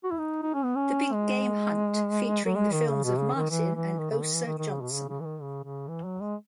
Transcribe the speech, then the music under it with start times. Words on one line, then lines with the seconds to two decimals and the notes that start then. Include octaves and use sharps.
"The Big Game Hunt" featuring the films of Martin and Osa Johnson.
0.04 F#4
0.11 E4
0.18 D#4
0.43 D#4
0.54 C#4
0.64 B3
0.76 C#4
1.13 G#3
2.45 F#3
2.55 G#3
2.72 D#3
2.88 C#3
3.04 B2
3.19 C#3
3.35 D#3
3.50 E3
3.75 E3
3.99 D#3
4.11 C#3
4.22 D#3
4.34 E3
4.46 D#3
4.58 D#3
4.69 C#3
4.81 B2
4.93 C#3
5.09 C#3
5.20 E3
5.25 D#3
5.41 C#3
5.64 C#3
5.88 E3
6.04 F#3
6.21 G#3